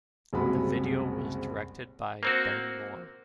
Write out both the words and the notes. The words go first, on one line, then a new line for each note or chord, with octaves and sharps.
The video was directed by Ben Mor.
F#1 C2 G#3 C4 F#4 B5
A#3 C4 F#4